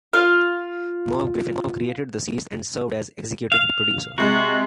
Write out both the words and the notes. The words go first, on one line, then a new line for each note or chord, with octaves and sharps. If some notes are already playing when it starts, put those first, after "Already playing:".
Merv Griffin created the series and served as executive producer.
F4 F5
F5
C3 G#3 F#4